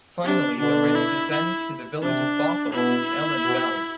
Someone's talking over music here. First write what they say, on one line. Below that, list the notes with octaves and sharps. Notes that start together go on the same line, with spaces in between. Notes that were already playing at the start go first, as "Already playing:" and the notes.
Finally the ridge descends to the village of Bothel in the Ellen Valley.
C3 D4
B2 D3 D4
E4
E4
C3 D4
B2 E4
B2